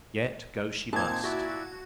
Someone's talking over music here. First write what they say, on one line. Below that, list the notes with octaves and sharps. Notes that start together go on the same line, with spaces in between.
Yet go she must.
A#2 C4 D#4 A5 G#6
E4 F#4 D5 E5